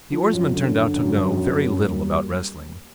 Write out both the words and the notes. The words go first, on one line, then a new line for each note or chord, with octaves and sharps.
The oarsman turned out to know very little about wrestling.
F3
F#2
D3
D3
F#2
F#2
F#2
A#3
G3